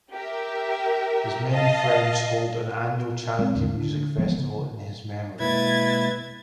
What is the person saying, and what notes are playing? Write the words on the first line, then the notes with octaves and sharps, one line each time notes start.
His many friends hold an annual charity music festival in his memory.
G4 A#4 E5
D#5 F5 A5
G#3 C4
D#2 G#2 D3
D3
E3 F3 G#3 B3
C#3
B2 G#3 A#3 E4 B4 G#6 A6